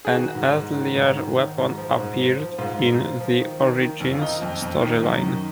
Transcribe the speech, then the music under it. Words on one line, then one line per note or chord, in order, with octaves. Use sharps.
An earlier weapon appeared in the "Origins" storyline.
G#4
D#3 F#4
G#2
G#2
D#3
G#2
D#3
D#3
G#2
F3
G#2
F3
F3
G#2 F4
G#2
F3
F3
D#3
D#3
D#3
F2
F4
D#3 D#4
F2
F2
D#3
F#2
D#3